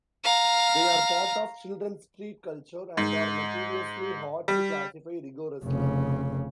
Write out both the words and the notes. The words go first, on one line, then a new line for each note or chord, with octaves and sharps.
They are part of children's street culture, and are notoriously hard to classify rigorously.
F5 A#5
G#2
G3
F1 C#3